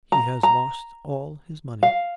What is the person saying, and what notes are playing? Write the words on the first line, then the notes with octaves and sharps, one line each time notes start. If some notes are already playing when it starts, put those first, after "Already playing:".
He has lost all his money....
A#5
A#5
F5